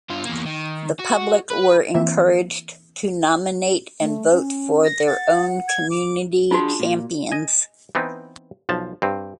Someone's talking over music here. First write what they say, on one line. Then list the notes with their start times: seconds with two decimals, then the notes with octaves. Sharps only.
The public were encouraged to nominate and vote for their own community champions.
0.10 G2 F4
0.25 E2 A#3
0.46 D#3
1.00 F#4
1.51 B4
1.94 E3 A#3 C4 E4 E5
4.01 A3
4.31 C#4
4.85 A#6
5.07 F#5 A6
5.68 G#6
5.90 D6
6.51 D4 F4 F#4 G#4 A5
6.80 A#2
7.32 D#5 G#5
7.95 E3 B3 C4 D#4
8.69 B1 F3 A5
9.02 G2 C4